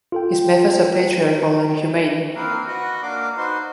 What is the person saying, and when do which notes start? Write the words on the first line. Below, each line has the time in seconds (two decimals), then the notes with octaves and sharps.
His methods are patriarchal and humane.
0.12 F4 A4 G5
2.36 A#3 C4 A#4 B4 F5
2.67 F#4 B4 D#5 F#5
3.03 A#3 D4 F5 D6
3.37 D#4 F#4 B4 C5 C6